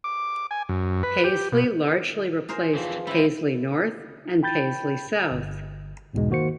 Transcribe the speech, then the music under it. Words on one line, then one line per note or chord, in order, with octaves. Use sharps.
Paisley largely replaced Paisley North and Paisley South.
D6
G#5
F#2
B4
G4
B2
G#4 A#4 C5
E2 E3 F3 C4
G3 G#3 E4 G5
G5 B5 G6 A6
G1
B1 E2 G#2 B2 G#3
D#3 A#3 F#4 C5 C#7